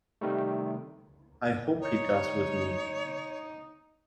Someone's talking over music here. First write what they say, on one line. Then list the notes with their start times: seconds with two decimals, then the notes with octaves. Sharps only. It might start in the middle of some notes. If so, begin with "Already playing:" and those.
I hope he does with me.
0.21 C3 D#3 G3 A3
1.81 D#4 C#5